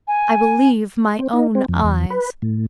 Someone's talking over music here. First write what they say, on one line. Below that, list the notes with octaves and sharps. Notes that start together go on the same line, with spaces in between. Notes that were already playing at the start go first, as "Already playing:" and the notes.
I believe my own eyes.
G#5
C4
D#4
C4
F2
E2
B4
A2